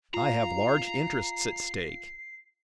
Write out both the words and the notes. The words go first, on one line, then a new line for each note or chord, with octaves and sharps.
I have large interests at stake.
F4 F5 A#5 C7